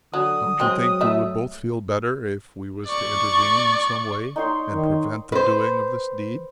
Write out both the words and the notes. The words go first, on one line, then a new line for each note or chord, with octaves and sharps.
Don't you think we would both feel better if we was to intervene in some way and prevent the doing of this deed?'
D3 F#3 D#6
F#3 G#3 C4
A3 E5
D5 C#6
D#4 C#5 C6
D#3
B4 C5